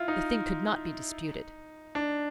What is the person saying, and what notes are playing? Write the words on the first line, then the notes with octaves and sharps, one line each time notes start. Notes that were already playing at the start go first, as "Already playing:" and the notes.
The thing could not be disputed.
Already playing: E4 F4
D#4
D4